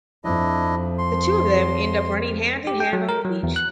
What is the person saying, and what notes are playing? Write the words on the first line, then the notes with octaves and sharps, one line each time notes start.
The two of them end up running hand in hand on the beach.
F2 D4 E4 D#5
C6
G4
G5
F#3
A#4
F#3
E2
F#6